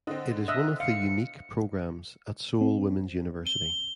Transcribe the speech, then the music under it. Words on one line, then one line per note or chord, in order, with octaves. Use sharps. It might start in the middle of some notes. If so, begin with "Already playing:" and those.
It is one of the unique programs at Seoul Women's University.
D3 C4 D#5
D#5 E5 F#6
F5 C#7
C4
G7